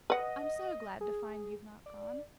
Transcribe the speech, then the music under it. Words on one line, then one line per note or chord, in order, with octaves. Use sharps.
"I'm so glad to find you've not gone."
B4 D#5 F#5
G#4
D5